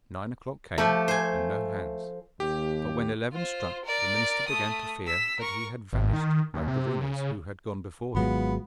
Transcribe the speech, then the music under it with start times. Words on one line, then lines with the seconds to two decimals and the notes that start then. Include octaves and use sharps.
Nine o'clock came, and no Hans, but when eleven struck the minister began to fear that he had vanished like the ringers who had gone before him.
0.78 F3 A3 G4
1.08 C5 G#5
2.40 D#2 G4
3.32 F4 C5
3.85 A#4 D5
4.48 A3 D#6
5.07 E6 B6
5.40 A#4 C#6
5.93 G#1
6.13 D#3
6.54 D#2
6.68 C3
7.01 C#3
8.15 G#1 F#3 G#3 B3 F4 B5